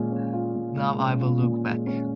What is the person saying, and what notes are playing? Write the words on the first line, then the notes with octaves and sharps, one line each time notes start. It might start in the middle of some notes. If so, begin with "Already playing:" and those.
Now I’ll look back.
Already playing: A#2 G#3 C#4 F4
C#4
F4
A#2
G#3
C#4
F4
A#2
G#3
C#4